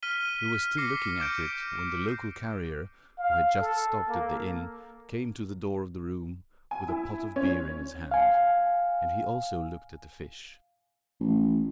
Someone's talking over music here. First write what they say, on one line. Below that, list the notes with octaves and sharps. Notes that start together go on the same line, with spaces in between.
We were still looking at it, when the local carrier, who had just stopped at the inn, came to the door of the room with a pot of beer in his hand, and he also looked at the fish.
F6 B6 D#7 G7
D6 A#6 C7 C#7
D6 G6 D7
F5
A4
A#3
G#5
E4
C#4
F5 G#5
A1